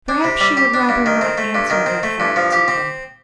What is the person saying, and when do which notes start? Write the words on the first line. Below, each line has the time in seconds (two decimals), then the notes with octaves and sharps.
Perhaps she would rather not answer her friends, even.
0.09 D4
0.24 C3
0.40 G3
0.57 G4
0.74 D4
0.89 G2
1.06 D#3
1.21 C4
1.38 A3
1.55 G2
1.70 D#3
1.86 C4
2.03 A3
2.20 G2
2.36 F3
2.52 G4
2.68 C4